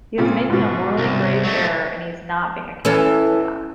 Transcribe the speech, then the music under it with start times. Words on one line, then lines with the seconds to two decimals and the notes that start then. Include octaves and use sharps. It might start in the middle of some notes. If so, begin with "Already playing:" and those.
He is making a morally grave error and he's not being accountable to God...
0.18 A#2 C#3 C4
0.50 G#2 B2
0.98 C2
1.45 F#3 A3
2.85 E3 C#4 A4